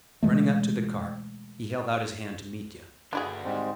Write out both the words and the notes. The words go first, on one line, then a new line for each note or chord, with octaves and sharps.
Running up to the cart he held out his hand to Mitya.
B2 E3 G#3 A3
G2 D3 D4 E4 F#4 G#4
G#2 G3 G#3 C4